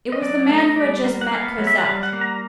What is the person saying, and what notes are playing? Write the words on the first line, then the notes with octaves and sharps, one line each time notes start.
It was the man who had just met Cosette.
D#5
F#3 D5
A3
D#5
G3 D5
A#3
F#5
B3 F5
F#3
E5
F#5
G3 F5
F#5
A#3
A#5